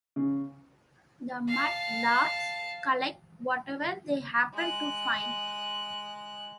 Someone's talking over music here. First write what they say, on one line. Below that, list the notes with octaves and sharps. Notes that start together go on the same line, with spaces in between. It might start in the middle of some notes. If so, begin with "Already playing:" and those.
The mud-larks collect whatever they happen to find.
C#3
F5 A5
G#3 F#6